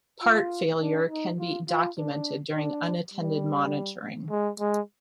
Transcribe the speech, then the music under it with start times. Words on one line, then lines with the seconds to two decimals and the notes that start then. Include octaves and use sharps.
Part failure can be documented during unattended monitoring.
0.23 F4
0.81 D4
1.10 D#4
1.39 F4
1.69 F4
1.97 D4
2.56 D4
3.14 G3
4.30 G#3
4.60 G#3